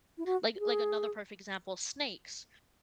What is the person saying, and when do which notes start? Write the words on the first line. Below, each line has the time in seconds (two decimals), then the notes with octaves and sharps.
Like like, another perfect example, snakes,
0.18 E4
0.26 F#4
0.56 F#4
0.59 G#4